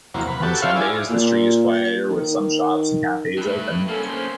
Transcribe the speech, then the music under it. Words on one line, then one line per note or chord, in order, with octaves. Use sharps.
On Sundays the street is quieter, with some shops and cafes open.
E2 C3 F#3 A#3
B4
F#4 G4 A4
F4 C5 C#5 E5 F5
E4 G#4 D5
A#2
D#3
G2 A3 B4
A#3 C#4 A4
C5